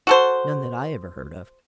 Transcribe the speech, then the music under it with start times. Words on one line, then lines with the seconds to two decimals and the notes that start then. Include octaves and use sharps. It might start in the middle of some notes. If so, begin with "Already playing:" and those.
"None, that I ever heard of."
0.07 F#4 A4 C5